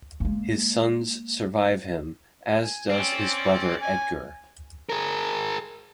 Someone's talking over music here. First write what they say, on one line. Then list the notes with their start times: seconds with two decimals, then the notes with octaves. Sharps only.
His sons survive him, as does his brother Edgar.
0.20 G#3 A#3
2.62 G#5
2.90 C4 C#4 D5
3.82 G#5
4.89 G#4 A#4